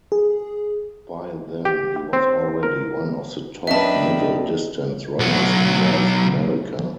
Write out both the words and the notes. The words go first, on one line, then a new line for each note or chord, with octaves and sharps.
By then, he was already one of the top middle-distance runners in North America.
G#4
G4
C4
A#4
F#2 D#3 C4 D4 B4 D#5 E5 A5
B1 F#3